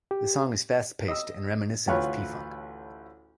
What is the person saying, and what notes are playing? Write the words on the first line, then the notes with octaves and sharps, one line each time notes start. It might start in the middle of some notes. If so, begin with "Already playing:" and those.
The song is fast-paced and reminiscent of P-Funk.
G4
D#5 E6
A1 D2 F4 B4 C#5